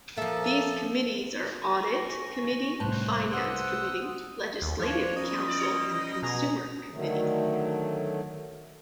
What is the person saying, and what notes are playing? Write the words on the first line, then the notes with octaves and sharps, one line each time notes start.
These committees are Audit Committee, Finance Committee, Legislative Council, and Consumer Committee.
F3 A#3 A4 E5
G#5 C#6 A#6
C2 A2 C5 A5 C6 F#6
A#3 B4 F#5 D#6 E6
D#2
F3 D4 C#5
G3 C#4 D#4 F4 D#5
B2 G#4 A#5
D3 D#3 F#3 A3